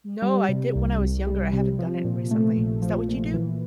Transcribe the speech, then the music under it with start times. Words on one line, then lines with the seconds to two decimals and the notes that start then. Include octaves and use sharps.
No, I did when I was younger, I haven't done it recently. Is that what you do?
0.22 G3
0.49 C3
0.75 C2
1.01 C2
1.27 G3
1.53 C3
1.79 F3
2.04 A#2
2.31 A3
2.57 A#1
2.82 F3
3.09 A#2
3.34 E3